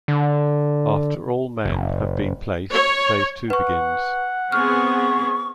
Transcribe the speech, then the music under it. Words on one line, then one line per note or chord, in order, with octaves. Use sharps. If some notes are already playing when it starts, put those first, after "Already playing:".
After all men have been placed, phase two begins.
D3
F#1
C#5
B4 F#5 C#6
B3 C4 G#4 C#6 F6